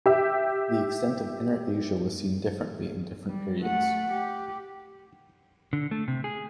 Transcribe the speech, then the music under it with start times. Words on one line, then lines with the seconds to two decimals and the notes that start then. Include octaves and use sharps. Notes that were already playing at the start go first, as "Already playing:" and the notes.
The extent of Inner Asia was seen differently in different periods.
0.06 G4 E5
3.29 G3
3.60 A3 F#5
4.12 G4
5.73 D3
5.91 A3
6.08 C3
6.24 G#4